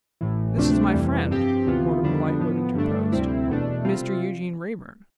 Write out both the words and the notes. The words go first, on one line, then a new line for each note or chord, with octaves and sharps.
'This is my friend,' Mortimer Lightwood interposed; 'Mr Eugene Wrayburn.'
A1 A2 E3
D2 C3 F3 A3 D4
F2 C3 E3 G3
G2 F3 C4 G4
D2 C3 E3 B3 F4
F2 D3 G3 B3 D4
A2 F3 B3
G2 D3 A3 D4
D2 C3 G3 C4 E4
E2 B2 A3 D4
C3 G3 C4 F4